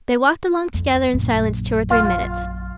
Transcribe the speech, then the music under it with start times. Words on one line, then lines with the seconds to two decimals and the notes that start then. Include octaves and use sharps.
They walked along together in silence two or three minutes.
0.74 F2
1.14 A#1 F#2
1.90 F4 F5